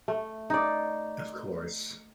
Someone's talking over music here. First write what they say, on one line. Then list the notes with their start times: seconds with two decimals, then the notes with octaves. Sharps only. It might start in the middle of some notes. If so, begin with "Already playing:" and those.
Of course.
0.08 A3
0.50 D#4 D5